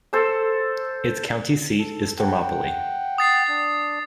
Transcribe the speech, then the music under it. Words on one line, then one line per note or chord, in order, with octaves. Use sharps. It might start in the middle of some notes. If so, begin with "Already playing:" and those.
Its county seat is Thermopolis.
A4 C5 E6
A4
F#5 G5
D#6 A6 C7
D4